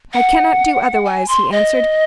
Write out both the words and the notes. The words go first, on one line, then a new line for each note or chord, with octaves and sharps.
"I cannot do otherwise," he answered.
F#5
G#5
C6
D#5